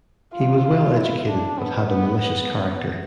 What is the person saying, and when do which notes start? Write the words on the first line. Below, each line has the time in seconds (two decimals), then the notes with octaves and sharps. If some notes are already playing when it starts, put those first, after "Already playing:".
He was well educated but had a malicious character.
0.33 F4
0.65 F4
0.96 E4
1.28 D4
1.59 B3
1.91 B3
2.21 B3